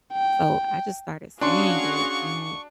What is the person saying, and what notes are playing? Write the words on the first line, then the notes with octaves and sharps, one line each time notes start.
So I just started saying it, and
G5
C#4 D4 F#4 G#4 F5 C6 C#6